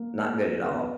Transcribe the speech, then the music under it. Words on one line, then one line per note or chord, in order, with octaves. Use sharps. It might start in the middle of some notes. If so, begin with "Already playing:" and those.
not good at all.
Already playing: A#3
B3